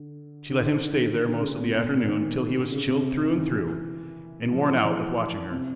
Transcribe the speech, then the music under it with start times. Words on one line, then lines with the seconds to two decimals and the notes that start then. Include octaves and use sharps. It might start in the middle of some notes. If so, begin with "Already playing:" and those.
She let him stay there most of the afternoon till he was chilled through and through and worn out with watching her.
Already playing: D3
0.50 D3
0.60 D#3
0.76 D3
0.92 D#3
1.09 D#3
1.25 D3
1.41 C#3
1.57 B2
1.74 A#2
1.91 B2
2.07 D#3
2.32 D#3
2.57 D3
2.72 C#3
2.88 C3
3.22 D#3
3.38 E3
4.52 F3
4.70 E3
4.86 E3
5.51 C3